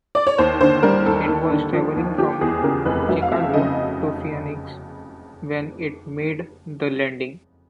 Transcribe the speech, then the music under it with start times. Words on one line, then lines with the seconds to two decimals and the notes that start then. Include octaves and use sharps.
It was traveling from Chicago to Phoenix when it made the landing.
0.15 D5
0.27 C#5
0.38 D#2 C5
0.60 D3 C5
0.83 G3 A#4
1.06 D#2 A4
1.28 D#2
1.50 D3
1.73 F3
1.96 D#2
2.18 F3 G4
2.41 E2 G#4
2.63 C#3 A#4
2.85 F1 B4
3.09 F#3 E5
3.22 F5
3.32 F2 E5
3.54 C#3 D#5